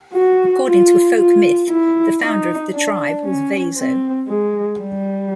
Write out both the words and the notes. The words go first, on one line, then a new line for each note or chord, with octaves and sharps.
According to a folk myth, the founder of the tribe was "Vaso".
F#4
F4
F4
E4
D#4
D4
C#4
C4
G#3
G3